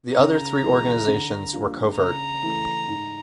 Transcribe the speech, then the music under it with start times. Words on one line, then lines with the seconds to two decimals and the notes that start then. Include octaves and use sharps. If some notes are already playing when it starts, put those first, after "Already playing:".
The other three organisations were covert.
0.18 C#3 A#5
0.63 E3 G#3
1.08 D3
1.53 G3 A#3 D4 F4
1.98 C#3 A#5
2.43 E3 A3
2.88 G#2